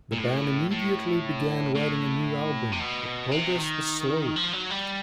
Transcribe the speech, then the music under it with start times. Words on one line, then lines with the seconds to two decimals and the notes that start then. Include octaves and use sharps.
The band immediately began writing a new album, but progress was slow.
0.13 A#2
0.19 A2
0.71 A2
1.75 A2
2.72 C3
2.80 B2
3.31 C3
3.57 D#3
4.36 F3
4.53 F#3
4.70 G3